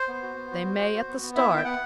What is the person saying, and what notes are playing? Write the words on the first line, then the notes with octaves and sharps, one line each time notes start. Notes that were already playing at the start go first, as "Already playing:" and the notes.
"They may at the start."
Already playing: C5
B3
F#4
B3
F#4
F#4
F#4
F#4
B3
B3
E4 E5
B3
G5
B3 F#5